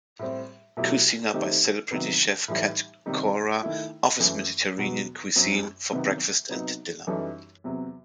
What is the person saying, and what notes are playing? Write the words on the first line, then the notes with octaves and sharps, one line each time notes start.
Kouzzina by celebrity chef Cat Cora offers Mediterranean cuisine for breakfast and dinner.
A2 G3 C4
B2 F#3 A3 E4 G4
D#3 A3 C4 D#4 G4
C3 D#3 F#3 B3
A2 E3 G3 D#4
C3 D#3 G3 D#4
D#3 A3 E4
F#2 E3 A3
E2 B2 F#3 B3 F#4
F#2 F#3 C4
C3 D#3 F#3 B3
C3 F#3 B3 D#4
F#2 E3 G3 D#4 A4
E2 C3 F#3